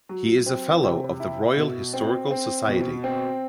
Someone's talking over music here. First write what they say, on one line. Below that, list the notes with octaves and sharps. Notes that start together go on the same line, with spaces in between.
He is a Fellow of the Royal Historical Society.
F#3
C4
C3
E4
B2
C4
C4
B2
C4